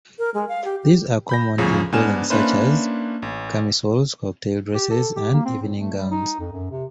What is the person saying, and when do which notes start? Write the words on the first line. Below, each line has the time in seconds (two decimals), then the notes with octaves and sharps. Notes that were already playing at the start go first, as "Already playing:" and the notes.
These are common in clothing such as camisoles, cocktail dresses, and evening gowns.
0.19 A#4
0.34 G#3
0.49 F5
0.65 G4
0.83 G4
1.29 B5 G6 A#6
1.58 E2 A2 C#3 F3
1.92 G#2 B3 D4 G#5 F6 E7
2.30 A#3 C#4 D4 E4 B4 C5
3.22 A1
4.75 G4
4.91 A4
5.16 G4
5.34 A#3
5.45 C4
5.62 A2
5.77 A3
5.97 G3
6.11 D#4
6.40 F2
6.52 F#2
6.71 C3